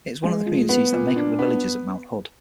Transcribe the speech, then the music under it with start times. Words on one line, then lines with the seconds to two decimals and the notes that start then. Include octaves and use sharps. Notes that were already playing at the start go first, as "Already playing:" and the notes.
It is one of the communities that make up the Villages at Mount Hood.
0.24 G#3
0.46 F3
0.69 B3
0.93 A#2
1.16 D4
1.39 B3